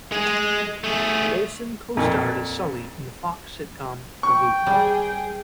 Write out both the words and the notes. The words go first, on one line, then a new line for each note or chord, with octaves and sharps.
Olsen co-starred as Sully in the Fox sitcom "The Loop".
G#3 G#4
A3 G#4
F2 A#2
G5 C#6
G3 G#4